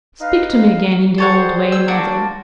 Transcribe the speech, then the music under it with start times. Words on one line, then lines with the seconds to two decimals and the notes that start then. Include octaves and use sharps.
Speak to me again in the old way, mother.
0.21 D#4 B4 F5
1.18 G3 G#4 A4 C5 C#5 F#5
1.72 E6
1.88 A#3 D4 F#4